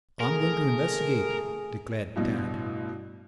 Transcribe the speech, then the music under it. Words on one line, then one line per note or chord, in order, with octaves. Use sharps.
"I'm going to investigate," declared Tad.
A3 G#4 A#4
A1 G2 B2